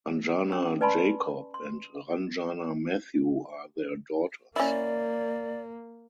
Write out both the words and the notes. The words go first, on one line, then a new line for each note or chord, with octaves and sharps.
Anjana Jacob and Ranjana Mathew are their daughters.
C#4 E6
B4 D5 G#5 A5 B5 C6
C6
A#3 C#4 E4 D5